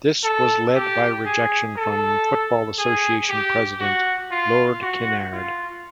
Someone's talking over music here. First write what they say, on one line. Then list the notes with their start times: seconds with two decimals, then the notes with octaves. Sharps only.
This was led by rejection from Football Association president Lord Kinnaird.
0.24 A4
0.74 G4
1.26 G#4
1.77 A4
2.78 G#4
3.29 G4
3.80 F#4
4.31 F4
4.82 F#4
5.33 F4